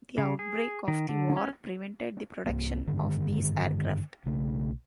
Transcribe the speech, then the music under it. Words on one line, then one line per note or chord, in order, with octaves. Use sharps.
The outbreak of the war prevented the production of these aircraft.
C#3
G#4
D#3
D3
C#4
C2 A#3
G2 D3 D#3 G#3
B1 C#3 A3